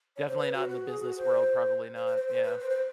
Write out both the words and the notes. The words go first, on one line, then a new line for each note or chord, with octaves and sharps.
Definitely not in the business world, probably not, yeah.
C#5
C5
B4
F#4
F#4
G#4
F#4
C5
C5
C5
C5
C5
B4
C5
C5